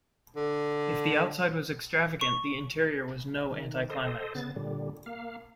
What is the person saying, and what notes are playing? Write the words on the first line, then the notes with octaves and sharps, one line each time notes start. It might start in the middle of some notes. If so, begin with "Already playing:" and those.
If the outside was extravagant, the interior was no anti-climax.
D3
C#6
D#3
A4 C5 D#5
C#3 B3 A6
A#2 D3 G3
A#3 F5